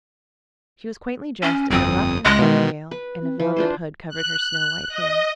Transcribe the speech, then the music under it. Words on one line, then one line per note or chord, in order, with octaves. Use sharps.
She was quaintly dressed in a ruff and farthingale, and a velvet hood covered her snow-white hair.
C#4
G1 F2 C4 D#6
C#2 G#3 F#6 A#6
B2 D#3
B4
C4
E3 B4
D4 F4 C5
F#6
D#5